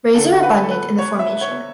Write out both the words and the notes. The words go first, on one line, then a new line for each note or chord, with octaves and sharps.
Rays are abundant in the formation.
E2 D3 A4
B4
A4
B4
C#5
E5
C#5